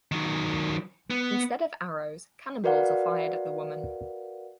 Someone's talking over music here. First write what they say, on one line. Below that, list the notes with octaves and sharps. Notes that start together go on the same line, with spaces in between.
Instead of arrows, cannonballs are fired at the woman.
D#3 F#3
B3
F#4 A#4 B4 D5 F5 F#5